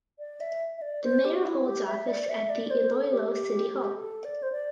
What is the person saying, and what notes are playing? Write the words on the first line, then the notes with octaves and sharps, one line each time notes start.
The mayor holds office at the Iloilo City Hall.
D5
E5
E5
D5
C5
G4
E4
G4
E5
D5
E5
D5
C5
A4
G4
A4
D5
C5
D5